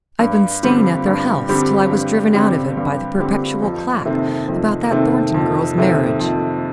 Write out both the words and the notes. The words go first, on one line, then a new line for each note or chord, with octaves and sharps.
I've been staying at their house till I was driven out of it by the perpetual clack about that Thornton girl's marriage.
G2
D3 G3 C4 G4
G2
D3 G3 C4 G4
G2
D3 G3 C4 G4
G2
D3 G3 C4 G4
F2
C3 D#3 A3 C4
F2
C3 D#3 A3 C4
F2
C3 D#3 A3 C4
F2